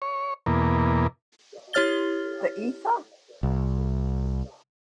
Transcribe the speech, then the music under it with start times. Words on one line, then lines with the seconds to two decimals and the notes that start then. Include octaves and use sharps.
The ether?
0.02 C#5
0.46 E2 B2 A#3
1.73 E4 G4 C#5 F6 A6 G7
3.43 C2